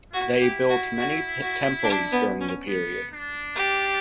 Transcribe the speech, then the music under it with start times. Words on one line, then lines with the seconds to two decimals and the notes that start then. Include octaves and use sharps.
They built many temples during the period.
0.13 E4 F#4
0.41 G4
0.70 F#4
0.98 F#4
1.41 F#4
1.84 D4
2.12 B3
2.41 C#4
2.69 B3
3.13 D4
3.55 G4